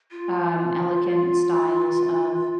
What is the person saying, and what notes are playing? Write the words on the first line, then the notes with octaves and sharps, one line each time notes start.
um, elegant styles of
F4